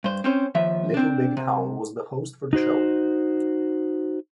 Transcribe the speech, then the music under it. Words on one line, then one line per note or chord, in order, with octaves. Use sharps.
Little Big Town was the host for the show.
G2 C5
C4 C#4 C5
D#2 F3 E5
C4 D4
C3
D#4 F#4 C5